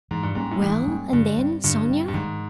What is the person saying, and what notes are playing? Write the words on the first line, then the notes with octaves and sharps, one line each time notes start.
"Well, and then, Sonya?..."
G#2 E3
G2
G#2 G3 A#3 C#4
A2
G#2 E3
G3 A#3 C#4
G2 D3
G3 C4
G2 D3
G3 C4
G2
G#2 D#3